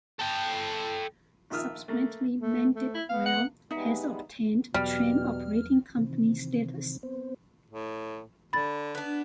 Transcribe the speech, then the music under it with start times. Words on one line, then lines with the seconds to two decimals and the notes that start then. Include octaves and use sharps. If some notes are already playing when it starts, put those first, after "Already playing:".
Subsequently Mendip Rail has obtained train operating company status.
0.19 A4 G5
1.50 A#1 D#3 F4 E5 D#6 F6
1.88 A3 A#3
2.41 A3
2.75 A3
2.95 E4
3.09 B3 F5
3.26 F#5
3.71 G3 G#3 B3 D#4 E5
4.74 E2 B2 F#3 G3 B3 F6
5.97 C3 D#3 E3 C4
7.03 B3 C4 C5
7.70 A2
8.53 D3 B5 A6
8.95 B3 D4